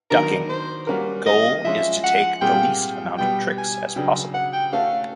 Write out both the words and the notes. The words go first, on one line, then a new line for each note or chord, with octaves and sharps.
"Ducking": Goal is to take the least amount of tricks as possible.
D#3 F#3 B3 D4 A#4
C5
G3 A#3 C#4 F#4 A#4
D#5
F3 G#3 C#4 E5
F#5
A#2 G3 C4 F4 G#4 G5
B2 G3 B3 G5
G#5
C#3 F#3 B3 D4 G5
F#5
G5
A3 C#4 F#4 A4 F5